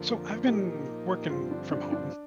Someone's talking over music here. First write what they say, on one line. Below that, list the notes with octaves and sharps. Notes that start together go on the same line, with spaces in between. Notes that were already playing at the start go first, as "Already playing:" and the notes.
So, I've been working from home
Already playing: F2 D3 F3 A#3
A#2 F3 A#3 D#4 G4
G2 D3 F3 C4 F4
D4
D4
D4